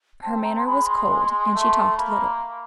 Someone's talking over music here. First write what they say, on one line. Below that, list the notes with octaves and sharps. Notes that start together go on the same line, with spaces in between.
Her manner was cold, and she talked little.
C4 A5
A#5
C6
G#3 B5
C6
G#3
A3
A#3 B5